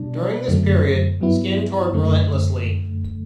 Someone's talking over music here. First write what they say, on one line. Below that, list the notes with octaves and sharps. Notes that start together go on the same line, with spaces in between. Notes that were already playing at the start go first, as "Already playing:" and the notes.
During this period, Skin toured relentlessly.
Already playing: B2 G3 D4
F#2 D3 F#3 A3
G2 F#3 B3 E4
F#2 D3 A3